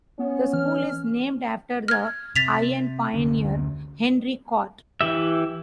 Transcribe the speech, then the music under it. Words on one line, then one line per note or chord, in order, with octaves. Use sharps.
The school is named after the iron pioneer, Henry Cort.
B3 C#4
E3 F6
F6 G#6
C3 A6 B6 F7
D2 D3 C#4
E3 G4 E5